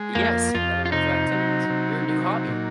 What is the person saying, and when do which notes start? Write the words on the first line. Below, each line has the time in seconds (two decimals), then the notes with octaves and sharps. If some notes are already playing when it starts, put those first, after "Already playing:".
Yes. Another room for activities, your new hobby.
Already playing: G#3
0.15 F2 A#3
0.55 F2 F4
0.86 F4
0.92 C3 D#4
1.31 F#3
1.70 C3
2.09 F#3
2.47 A#2